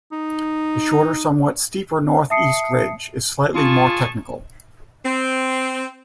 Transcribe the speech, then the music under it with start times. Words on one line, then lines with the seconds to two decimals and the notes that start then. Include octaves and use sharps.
The shorter, somewhat steeper north east ridge is slightly more technical.
0.12 D#4
2.30 E5 A5 D#6 C7 C#7
3.55 F4 G#4 A5 C#6
5.05 C4